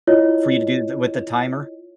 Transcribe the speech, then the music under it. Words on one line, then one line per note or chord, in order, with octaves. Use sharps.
for you to do th with the timer.
E4 F4 C#5 D#5